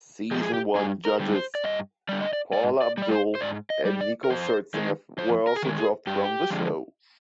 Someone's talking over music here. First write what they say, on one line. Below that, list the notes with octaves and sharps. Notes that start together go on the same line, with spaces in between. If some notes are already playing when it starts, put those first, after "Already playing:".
Season one judges Paula Abdul and Nicole Scherzinger were also dropped from the show.
F3 G#3 G4
G#4
G4
G2 G#4
A#4
D3 G3
C5
D5
G2 D#5
D3 G3 D5
D#5
D5
G#2 D5
D5
G3 D5
C5
C5
G#2 D5
D#5
G3
D5
A#4
F2 C5
D#3 G#3
F2 C5
A#4
G#4
D#3 G#3 A#4
G#4
G2 G4
D3 F3 G#3